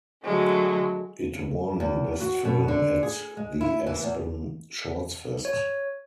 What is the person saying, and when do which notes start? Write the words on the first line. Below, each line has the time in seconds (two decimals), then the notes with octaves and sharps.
It won "Best Film" at the Aspen Shortsfest.
0.23 D3 F#3 G#3 A3
1.80 E2
2.21 F#4
2.45 B2
2.68 D3
3.03 G#4
3.37 G#3
3.61 E4
3.87 E3
4.03 E2
5.45 C#5